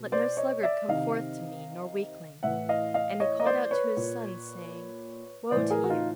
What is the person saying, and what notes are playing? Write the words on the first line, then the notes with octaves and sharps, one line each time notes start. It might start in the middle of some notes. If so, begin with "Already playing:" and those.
Let no sluggard come forth to me nor weakling." And he called out to his sons, saying, "Woe to you!
Already playing: B2
C5 D5
C#5 D#5
D5 E5
C3 D#3 D#5 F5
A2 E3 E5 F#5
D#5 F5
D#5 F5
C#5 D#5
D#5
C5 D5
B4 C#5
A#2
A2 E3 C5 D5
G#4 A#4
F#4
D#4 F4